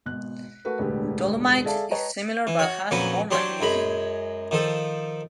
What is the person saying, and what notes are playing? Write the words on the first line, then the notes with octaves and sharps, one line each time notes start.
Dolomite is similar but has more magnesium.
G#1 B2 F#6
A3 F#4 A#4 B4
E1 D2 A2 D3 G4 B4
G#4 A4 D5 E5 F5 A5
B4 C#5 D#5 G5 A5 A#5
E3
F#4 C#5
F2 A#2 F#3 C#4 B4
F#3 D4 G4 C5 C#5
F#2 G#3 B5
D#3 F3 A4